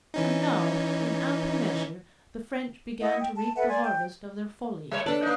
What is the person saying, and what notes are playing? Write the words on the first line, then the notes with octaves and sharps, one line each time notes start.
And now, in ample measure, the French began to reap the harvest of their folly.
E3 C#4 D#4
E4 D#5 F#5
G5
A5
A4 B4 E5 F#5
D5 G#5 C6
G5
G3 A3 C#5
D4 A4 B4 D5
A#3 D#4